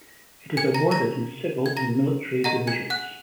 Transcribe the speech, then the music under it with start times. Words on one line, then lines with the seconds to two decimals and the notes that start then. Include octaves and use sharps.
It is awarded in civil and military divisions.
0.57 G#5 G#6
0.74 A#5 A#6
0.91 A#5 A#6
1.66 G#6
1.77 A#5 A#6
2.44 G#4 D#5 F#5 A#5 A#6
2.67 G#5 G#6
2.90 F#5 F#6